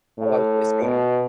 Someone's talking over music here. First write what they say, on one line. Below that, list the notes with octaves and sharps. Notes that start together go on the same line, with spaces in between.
Oh, I was gonna say
A2
B2